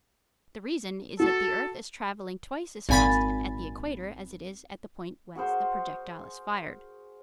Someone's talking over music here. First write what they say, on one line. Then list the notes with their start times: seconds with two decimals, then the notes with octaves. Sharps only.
The reason is that the earth is traveling twice as fast at the equator as it is at the point whence the projectile is fired.
1.20 F#4 A4
2.89 G#1 A#2 G#5 B5 A6
5.35 F#4 G#4 A#4 C5